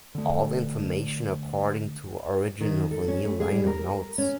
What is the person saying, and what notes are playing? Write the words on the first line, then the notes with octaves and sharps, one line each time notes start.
All information according to original vinyl liner notes.
D3 A3
D#3
A4
C#4
A3
G#4
G3
A#4
C#4